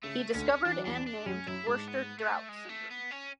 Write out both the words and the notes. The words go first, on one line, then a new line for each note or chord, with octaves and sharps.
He discovered and named Worster-Drought syndrome.
C#3 A3
D2 D3 C#4
E3 D4
F#3
E2 E3 D4
D4
F#2 F#3 C#4
F#2 F#3 E4
G#2 G#3 D4
B3
A3
G#3
A3
B3
C#4